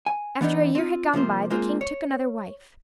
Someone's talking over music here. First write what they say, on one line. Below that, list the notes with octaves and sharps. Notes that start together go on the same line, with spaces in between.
After a year had gone by, the king took another wife.
G#5
E3 B3 D4 D#4
C4 F4
C3 F3 A#3 C5
G#3 A#3 C4 F4 C5
C#5